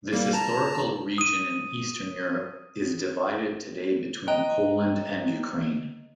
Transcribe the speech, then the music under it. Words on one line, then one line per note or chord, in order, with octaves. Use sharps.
This historical region in Eastern Europe is divided today between Poland and Ukraine.
G3 A#3
A5 A#5
D#6 D#7
D#5 G5 A#5 F#6